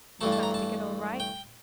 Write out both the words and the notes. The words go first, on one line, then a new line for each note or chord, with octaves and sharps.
"You've got the ticket all right?"
G2 E3 A3 A5
A5
A#5
A5
G5